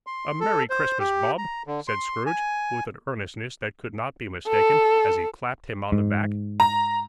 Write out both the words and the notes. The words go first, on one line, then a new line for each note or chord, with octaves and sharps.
'A merry Christmas, Bob!' said Scrooge, with an earnestness that could not be mistaken, as he clapped him on the back.
C6
A4
C5
G4
A#5
D3
C6
G#5
A4
G#2
A#5